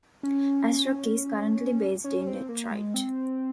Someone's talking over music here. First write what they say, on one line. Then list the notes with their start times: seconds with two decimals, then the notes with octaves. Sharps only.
Asrock is currently based in Detroit.
0.23 C#4
2.04 C#4
2.27 C4
2.49 A#3
2.71 G#3
2.94 C4